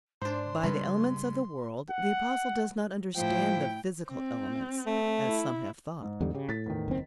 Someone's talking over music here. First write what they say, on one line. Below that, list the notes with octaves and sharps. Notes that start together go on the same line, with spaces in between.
By the elements of the world the Apostle does not understand the physical elements, as some have thought.
G#2 D4 C5 D5 C6
G2 C#3 G3 G#3 B4
F#5
A2 F3 E4 G5
C4
A3
E4
G#2
E2 D3 G3
C#3 G4
A2 A6 B6
E2 D#3
F#1 C4